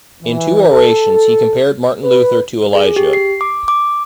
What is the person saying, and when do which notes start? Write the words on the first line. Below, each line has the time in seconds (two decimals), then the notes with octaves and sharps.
In two orations he compared Martin Luther to Elijah.
0.23 E3
0.71 A4
2.04 B4
2.75 G#4
2.96 G4
3.13 C7
3.41 D6
3.68 D6